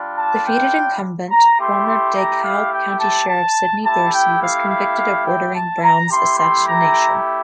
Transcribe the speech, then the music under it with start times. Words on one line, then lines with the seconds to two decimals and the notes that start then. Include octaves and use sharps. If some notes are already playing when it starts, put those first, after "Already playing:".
Defeated incumbent, former DeKalb County Sheriff Sidney Dorsey, was convicted of ordering Brown's assassination.
Already playing: G3 D4 F4
0.18 A5
0.46 G5
1.30 A#5
1.59 A3 E4 G4 C6
1.87 C6
2.15 A#5
2.43 F5
2.73 G5
3.00 A5
3.29 A5
3.84 A3 E4 G4 A5
4.13 G5
4.42 F5
4.69 F5
4.98 F5
5.26 G5
5.54 A5
5.83 A#5
6.11 A3 E4 G4 C6
6.39 C6
6.68 A#5